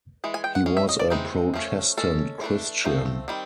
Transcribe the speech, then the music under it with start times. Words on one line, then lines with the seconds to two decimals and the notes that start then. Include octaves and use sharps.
He was a Protestant Christian.
0.24 E3 G#3
0.34 G#5
0.44 G5
0.55 F#5
0.66 G#3 C#4
0.77 E5
0.89 D#5
0.99 D5
1.10 E3 G#3 C4 D#4
1.54 F3 A3 C#4
1.97 G#3 C#4 A4
2.41 E3 A3 D4
2.84 F3 A3 C4
3.28 D#3 G3 C4